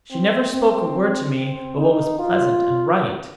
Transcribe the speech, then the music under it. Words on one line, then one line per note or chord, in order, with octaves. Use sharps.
She never spoke a word to me but what was pleasant and right.
C4
C4
C4
D#4
F4